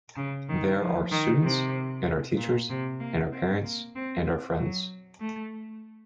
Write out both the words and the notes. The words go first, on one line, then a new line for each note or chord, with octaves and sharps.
They're our students and our teachers and our parents and our friends.
C#3
D#3
F3
D#3
C3
A#2
C3
A#3
C4
A#3
C4
F#3
A3